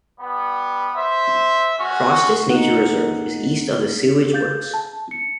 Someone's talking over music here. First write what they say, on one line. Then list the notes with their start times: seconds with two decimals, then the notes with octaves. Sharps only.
Crossness Nature Reserve is east of the sewage works.
0.20 G3 B3
0.96 C5 E5
1.79 G#3 C#4 F#4
2.48 A#3 D#4 F#5
4.18 G4
4.31 G#4 A4 F5 G6 A6
4.74 A5
5.11 C#7